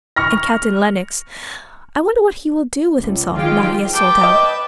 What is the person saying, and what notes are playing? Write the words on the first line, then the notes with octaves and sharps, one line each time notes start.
And Captain Lennox--I wonder what he will do with himself now he has sold out!'
C#6 F6 A#6
C#2
D#3 F3 G#3 F4 G4 G5
B4 G5 A5 D6
D#5